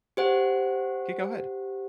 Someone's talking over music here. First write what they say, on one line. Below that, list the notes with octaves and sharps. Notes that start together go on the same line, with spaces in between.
kay, go ahead.
G4 C5 F#5